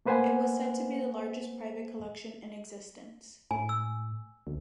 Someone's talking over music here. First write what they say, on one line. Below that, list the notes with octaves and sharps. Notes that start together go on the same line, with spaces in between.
It was said to be the largest private collection in existence.
A3 A#3 B4 C5 F#5 G#5
A2 G#5
E6
D2